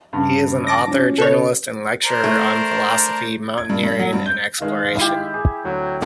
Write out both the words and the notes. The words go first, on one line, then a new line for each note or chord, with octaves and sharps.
He is an author, journalist and lecturer on philosophy, mountaineering and exploration.
G2 C#3
A5 D6 A#6
F3 C#4
C#3 A4 C#5
D4 A#4 C5
A3
G#6
G2
G2
F#3
G2
G6
D#3 G#3 D#4 F5
E4 G4
G#4
D2 F#3